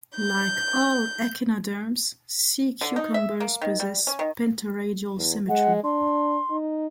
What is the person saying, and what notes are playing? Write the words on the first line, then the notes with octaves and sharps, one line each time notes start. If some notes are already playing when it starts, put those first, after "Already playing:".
Like all echinoderms, sea cucumbers possess pentaradial symmetry.
G6
D3
D#4
E5
A#3
D#3
G3
C#4
D#3
E2
G#3 F#5
D4 C6
D#4